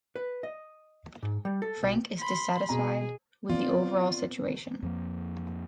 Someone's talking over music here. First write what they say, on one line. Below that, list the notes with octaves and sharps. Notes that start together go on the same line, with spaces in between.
Frank is dissatisfied with the overall situation.
B4
D#5
G#2
G3
A4
B1
B5 C6
B2 G#4 A#5
B3 C4 F4 D5
F2 F3 A#3